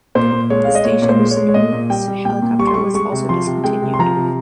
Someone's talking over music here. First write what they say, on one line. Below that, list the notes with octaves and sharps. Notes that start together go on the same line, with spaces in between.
The station's news helicopter was also discontinued.
A#2 C5
A#2
G#3 C#5
G#3 F5
D#5
A#2 C#5
A#2 C#5
C5
G#3
C#5
G#3
C#5
A#2 D#5
A#2
G3 G5
G3
A#2 G5
A#2
G3 C#6
C6
G3 C#6
G#3 C#6
C3
F3 C6
C3
G#3 G5
C3
C6
F3 A#5
C3